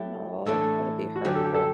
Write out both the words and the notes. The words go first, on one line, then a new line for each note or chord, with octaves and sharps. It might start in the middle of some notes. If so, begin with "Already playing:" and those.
Oh, that's gotta be hurtful.
Already playing: F#3 A3 E4 G4
A2 E3 A3 D4 A4
F#4
F#2 D3 F#3 G4
A4
G4
A4